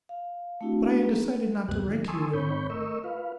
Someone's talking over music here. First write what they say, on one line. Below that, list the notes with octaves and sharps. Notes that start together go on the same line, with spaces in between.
But I had decided not to write to you any more.
F5
A3 C4 D4 E4 F#4 G4
A#3 B3 C#4 D#4 G#4
D2 G2 C3 B3 G4 F#6
D3 E3 F3 G3
G#5 A5 C6 C#6 D#6 E6
G#2 C4 C#5 B5 C#6 G6
A3 A#4 D#5 C#6 E6
F4 B4 F5